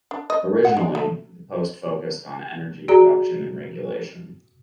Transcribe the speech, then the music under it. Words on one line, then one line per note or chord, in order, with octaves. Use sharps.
Originally the post focused on energy production and regulation.
D4
D#5
F#5
G#3
A3
F#4 G#4 D5 A#5